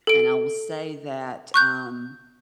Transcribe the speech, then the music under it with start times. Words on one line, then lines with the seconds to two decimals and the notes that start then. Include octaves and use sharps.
And I will say that, um
0.07 A4 D7
1.54 C#6 F#6 G6